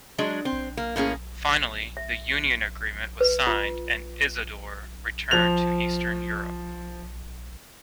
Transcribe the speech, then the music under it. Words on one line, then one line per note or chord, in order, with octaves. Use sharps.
Finally, the union agreement was signed and Isidore returned to Eastern Europe.
F#3 G#3 D4
C4
A#3
A2 A#3 C#4 G#4
E5
B4
F4
F3 F7